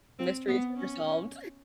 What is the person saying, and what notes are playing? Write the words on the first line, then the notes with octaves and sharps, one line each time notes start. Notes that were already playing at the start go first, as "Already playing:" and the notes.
Mysteries resolved.
C4
B3
C#4